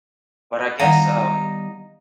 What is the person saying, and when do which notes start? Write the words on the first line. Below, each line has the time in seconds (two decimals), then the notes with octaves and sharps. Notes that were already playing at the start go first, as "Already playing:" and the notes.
But I guess, um
0.80 D#3 G3 B3 D#4 F5 F#5 A#5